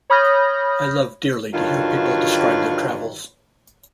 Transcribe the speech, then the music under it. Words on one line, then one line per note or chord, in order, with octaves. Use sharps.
I love dearly to hear people describe their travels.
C#5 B5 D#6 F6 G6 A#6
G2 D3 D#3 F#3 F4 F#4